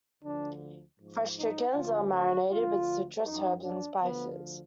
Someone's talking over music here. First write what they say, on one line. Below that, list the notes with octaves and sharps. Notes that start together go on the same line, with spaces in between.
Fresh chickens are marinated with citrus, herbs and spices.
D2 D3 F3 D4
G#2 F3
D#4
D2 D3 F3 F4
F#4
D2 D3 F3 F4
F#2 F3 D#4
D4
D2 D3 F3 B3